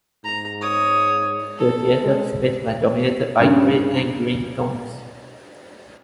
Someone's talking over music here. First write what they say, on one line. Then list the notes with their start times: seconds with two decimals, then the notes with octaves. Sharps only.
The theatre space was dominated by grey and green tones.
0.24 G#2 A#5
0.61 C#5 D#6
1.57 A4
2.03 G#3
3.40 G2 C#3